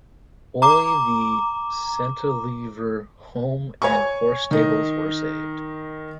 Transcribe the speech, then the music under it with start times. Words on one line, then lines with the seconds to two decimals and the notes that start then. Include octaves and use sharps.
Only the Centlivre home and horse stables were saved.
0.62 A#5 D6
3.82 C#5 G#5 C#6
4.51 D#3 D#5